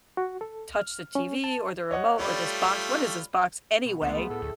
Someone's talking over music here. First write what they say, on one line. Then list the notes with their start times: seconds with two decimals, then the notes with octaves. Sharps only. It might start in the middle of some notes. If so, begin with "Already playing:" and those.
touch the TV or the remote or this box? What is this box anyway?"
0.17 F#4
0.41 A4
0.74 F6
1.15 C#4
1.44 A5
1.91 C#5 D#5 F#5
2.19 G3 A3 F4 C#5 D5 B5
3.85 B2
4.02 C#2 F3 A3 B3
4.15 G#4
4.30 A2 A4
4.42 D2